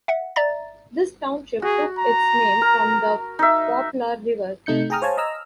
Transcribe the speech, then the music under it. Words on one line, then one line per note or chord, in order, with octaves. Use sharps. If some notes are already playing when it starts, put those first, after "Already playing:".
This township took its name from the Poplar River.
E5 F#5
D5 E5 A#5 A6
F#4 G#4
A#5
A#4
D#4 E5
C3 A3 D#4 G6 C#7
G#4 G5 A#5 D#6 F6
C5 C#5 F5 G#5 A5
D#5 A#5 E6 F6